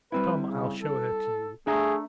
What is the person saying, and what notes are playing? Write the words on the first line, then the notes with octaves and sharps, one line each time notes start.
Come, I'll show her to you.
G3 C4 E4 B4
C#3
A4
A3 D4 G#4 E5 A#5